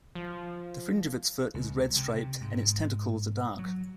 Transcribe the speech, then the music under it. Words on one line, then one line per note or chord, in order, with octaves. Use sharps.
The fringe of its foot is red-striped and its tentacles are dark.
F3
C#2
C3
G#2
F#3